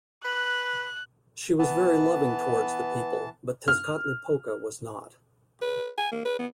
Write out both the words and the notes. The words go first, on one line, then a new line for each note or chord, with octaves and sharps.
She was very loving towards the people, but Tezcatlipoca was not.
B4 F#6
E3 B3 A5
F6
B4
G#5
A#3
B4
B3